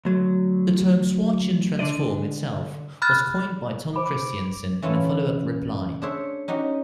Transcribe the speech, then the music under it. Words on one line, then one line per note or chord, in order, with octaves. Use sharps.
The term "Schwartzian Transform" itself was coined by Tom Christiansen in a follow-up reply.
D2 F#3
D3 D4 D5 D#5
B5 F6 F#6 A6
C5 B5 D6
E3 C#4 E4 F4 A4
D4 G#4 C5 C#5 E5
C#4 D#4 F#4 G4